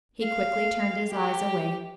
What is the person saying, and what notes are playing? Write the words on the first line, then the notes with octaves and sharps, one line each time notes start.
He quickly turned his eyes away.
F5
G4